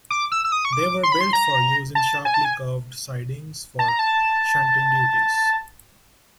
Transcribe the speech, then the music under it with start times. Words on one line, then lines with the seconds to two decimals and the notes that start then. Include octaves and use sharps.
They were built for use in sharply curved sidings for shunting duties.
0.10 D6
0.32 E6
0.45 E6
0.52 D#6
0.65 C#6
0.73 D6
1.03 C6
1.12 B5
1.21 C6
1.33 A#5
1.95 A5
2.25 G#5
2.34 A5
2.45 G#5
3.79 A5
3.88 A#5
3.99 A5